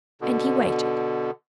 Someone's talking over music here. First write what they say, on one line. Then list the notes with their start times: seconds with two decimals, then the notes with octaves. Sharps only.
And he waited.
0.21 B2 D3